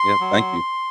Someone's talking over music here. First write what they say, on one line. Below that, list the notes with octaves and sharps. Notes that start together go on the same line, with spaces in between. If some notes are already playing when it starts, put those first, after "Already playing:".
Yeah, thank you.
Already playing: C6
F#3